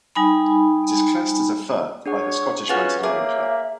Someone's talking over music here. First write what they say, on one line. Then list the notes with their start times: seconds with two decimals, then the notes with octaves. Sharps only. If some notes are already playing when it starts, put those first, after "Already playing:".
It is classed as a Furth by the Scottish Mountaineering Club.
0.15 G3 D#4 G#5 B5
2.06 D4 G#4 C#5 F#5
2.69 C#4 F4 F#4 G#4 B4 F#5
3.03 A#3 G#4 C#5 E5 G#5 D6